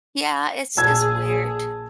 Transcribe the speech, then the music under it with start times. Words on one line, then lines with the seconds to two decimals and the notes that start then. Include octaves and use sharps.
Yeah, it's just weird,
0.77 A#1 G#4 A5 E6 G#6